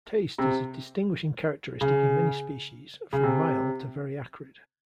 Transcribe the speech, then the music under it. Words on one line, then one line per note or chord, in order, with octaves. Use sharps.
Taste is a distinguishing characteristic in many species, from mild to very acrid.
C3
C#3
C#3
C3